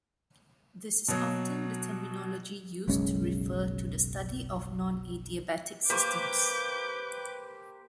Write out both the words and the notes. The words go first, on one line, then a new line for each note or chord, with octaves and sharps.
This is often the terminology used to refer to the study of nonadiabatic systems.
B2 F#3
F#1 B1 G#3 C#4
A#3 G4 B4 C5 C#6 D6 G6